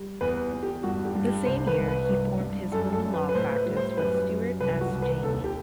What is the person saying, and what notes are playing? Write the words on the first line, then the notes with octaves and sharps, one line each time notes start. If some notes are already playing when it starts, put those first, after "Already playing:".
The same year, he formed his own law practice with Stuart S. Janney.
Already playing: G3
E2 B4
E2
G4
G2 F#4
G4
G2
G4
C2 C5
B4
C2
B4
G2
G2
F#2 A4
A4
F#2
B4
B4
A2 C5
B4
G3
C5
F#2 B4
F#2
C2 B4
F#4
C2
B4
D#2 A4
G4